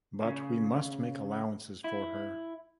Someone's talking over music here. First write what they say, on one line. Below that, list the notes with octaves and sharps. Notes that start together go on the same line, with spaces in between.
But we must make allowances for her.
C#3
E4